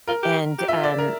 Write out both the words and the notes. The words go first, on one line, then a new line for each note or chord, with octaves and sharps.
and, um
F4 A#4
G4
G4
F4 E5
D5
A#4